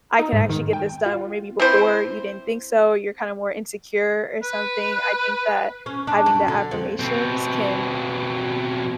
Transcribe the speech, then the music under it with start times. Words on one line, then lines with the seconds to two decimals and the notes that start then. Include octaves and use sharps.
I can actually get this done," where maybe before you didn't think so or you're kinda more insecure or something. I think that having the affirmations can
0.19 D#4
0.33 G#2
0.49 D#3
0.73 G5
1.06 F4
1.60 C4 E4 C5
4.43 B4
5.86 C#4
6.07 D4
6.26 F#2
6.48 D3
6.71 F2
7.00 B2 C4